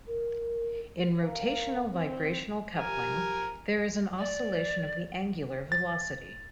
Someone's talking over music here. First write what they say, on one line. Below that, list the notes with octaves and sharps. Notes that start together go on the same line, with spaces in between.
In rotational-vibrational coupling there is an oscillation of the angular velocity.
A#4
A#4 F5
E3 C4
F3 G4 A#4 G#5
D5
A6